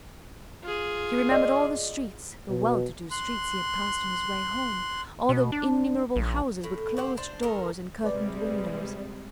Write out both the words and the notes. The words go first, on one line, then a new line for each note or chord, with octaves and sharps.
He remembered all the streets--the well-to-do streets he had passed on his way home; all the innumerable houses with closed doors and curtained windows.
F4 G#4
D5 D#5
B2
C6 F#6
B2
D4
A#1
A2
F#4 G4 C5
D4 C5
D#3 A4 A#4
C3 G3 G#3 B4 D5